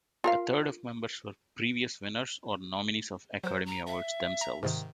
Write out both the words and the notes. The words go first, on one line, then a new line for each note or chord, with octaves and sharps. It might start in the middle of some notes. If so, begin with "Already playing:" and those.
A third of members were previous winners or nominees of Academy Awards themselves.
F4 A#4 F5
F#3 C5
A#5
E5
A#5
G#2 C3 D#3